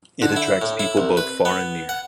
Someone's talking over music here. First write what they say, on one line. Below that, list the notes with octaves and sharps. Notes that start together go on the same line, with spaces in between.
It attracts people both far and near.
D3
E4
A2
E4
C2
B4
B3
F#5